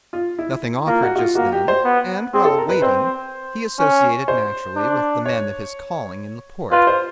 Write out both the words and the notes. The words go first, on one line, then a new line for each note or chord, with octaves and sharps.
Nothing offered just then, and, while waiting, he associated naturally with the men of his calling in the port.
F4
E4
A#3 F4
F#4
F#4
F4
A#3 F#4
G4
C5
B3
C4 G#4
A4
A#4
B4
C4 C5
C#4
C5
D4
C#5
F4 B4
C5